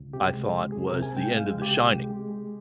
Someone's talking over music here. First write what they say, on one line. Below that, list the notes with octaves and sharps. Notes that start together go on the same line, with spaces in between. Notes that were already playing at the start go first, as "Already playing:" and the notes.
I thought, was the end of The Shining.
Already playing: C#2
C3 G4
G#3
C#2
C3 G#4
A#4
C3
G#5
G#3 G5
G#3 F5
C#2
G4
C3
G#3
G#3
G#3